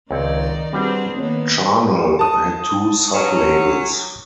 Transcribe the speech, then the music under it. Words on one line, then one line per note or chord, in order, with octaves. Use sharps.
Charnel had two sub-labels.
C#2 D#3 C4 D#4 C#5 D5
G3 C4 D4 F#4 G#4 B4
D#3 A#3 B3 C#5
A5 D#6
F#3 C#4